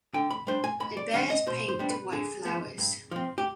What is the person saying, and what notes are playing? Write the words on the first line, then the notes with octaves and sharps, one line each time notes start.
It bears pink to white flowers.
D3 G5
B5
G3 D4 C5
G#5
G#2 B5
D5
D#3 G3 D4 F5
D#5
B2 C5
C5
G3 B3 D4
B4
D3 G#4
F3 B3
G2
F3 C4
G4